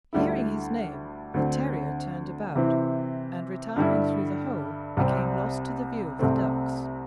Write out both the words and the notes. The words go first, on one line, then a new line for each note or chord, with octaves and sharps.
Hearing his name, the terrier turned about, and retiring through the hole, became lost to the view of the ducks.
D2 D3 G3 E4
D2 D3 C4
C3 E3 C4 E4
G2 D3 G3 E4
C2 C3 G3 C4
C2 C3 A3 C4